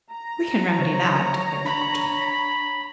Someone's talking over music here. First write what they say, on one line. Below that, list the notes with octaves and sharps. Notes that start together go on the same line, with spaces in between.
"We can remedy that," declared Uncle John.
A#5
C#3 F#3 C5 C#5
D4 C#5 B5